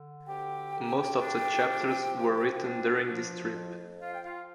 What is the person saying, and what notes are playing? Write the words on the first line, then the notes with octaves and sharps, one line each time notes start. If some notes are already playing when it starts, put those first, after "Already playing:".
Most of the chapters were written during this trip.
Already playing: D3
D2 G4 G5
D2
D4
F3
F3
D4
F3
F2
F3 F4 F5
G5
F4 F5